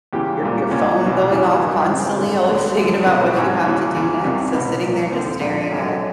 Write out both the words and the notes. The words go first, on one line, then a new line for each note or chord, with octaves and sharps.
your your phone going off constantly, always thinking about what you have to do next, so sitting there just staring at,
E2 C#3 E3 G4
C2 A#2
C2 A#2 C#4
E2 B2
E2 C#3 E3
G#1 G2 D#3
C#2 C#3 E3 C4
A1 G2 D3
D2 D3 B3
G#1 F#2 D3
C2 B2 B3
C4
G#1 G#2 E3 C#4
E2 C#3 E3
E2 C#3 E3
C2 C3 D#3
C#2 B2 B3
C2 A#2
D#2 D3 C4
A#1 A#2
G#1 F#2 D3 C#4